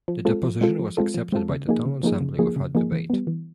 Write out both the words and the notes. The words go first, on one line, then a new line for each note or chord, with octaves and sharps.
The deposition was accepted by the town assembly without debate.
F3
G#3 C4 F4 A4
F3
G#3 C4 F4 A4
F3
G#3 C4 F4 A4
F3
G#3 C4 F4 A4
C#3
F3 A#3 D#4 G#4
C#3
F3 A#3 D#4 G#4
C#3
F3 A#3 D#4 G#4
C#3
F3 A#3 D#4 G#4
E3
G3 B3
E3